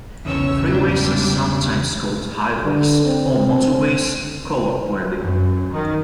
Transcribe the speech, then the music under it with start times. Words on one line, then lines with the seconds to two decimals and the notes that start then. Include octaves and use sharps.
Freeways are sometimes called highways or motorways colloquially.
0.25 B1 E2 C#3 C#4 C#5 E6
0.68 G#2 G3 D4
2.65 D3
3.05 C4
5.20 F#2
5.72 D#3